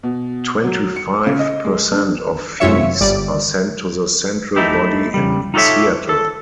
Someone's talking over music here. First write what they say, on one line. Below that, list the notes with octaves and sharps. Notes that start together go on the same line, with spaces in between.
Twenty-five per cent of fees are sent to the central body in Seattle.
B2
F#3
C#7
C#3
D#5
G#3
D4
F#2 C3 F4 C#5 E5 C#7
G1 G3 D5
A3 D#4 E4 G4
C#3 G3
D#4 F4 G4 A4 C#5 E5
A4